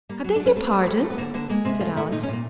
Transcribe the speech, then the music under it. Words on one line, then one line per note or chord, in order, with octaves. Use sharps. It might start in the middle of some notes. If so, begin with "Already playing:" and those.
'I beg your pardon?' said Alice.
G3 A#3
F#3
D4
A3
C#4
A3 C4
A3
A3
A3
B3
D3 A#3
D3 A#3
G#3 A#3
C3 C4
A3 F4
A3 E4
A#2 D#4
C#4
A#2 A#3